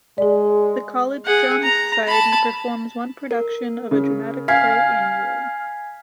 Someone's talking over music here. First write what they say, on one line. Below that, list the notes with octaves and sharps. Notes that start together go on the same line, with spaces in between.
The college drama society performs one production of a dramatic play annually.
G#3 G#4 D5
G#4 F#5
A#5
A5 B5
A#4
C#3
F5 G#5 G#6 B6